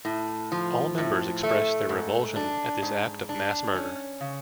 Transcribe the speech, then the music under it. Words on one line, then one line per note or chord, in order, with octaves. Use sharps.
All members expressed their revulsion at this act of mass murder.
A2
F3
A2
A3
G#2
D4
G#2
D4
C#4
C#3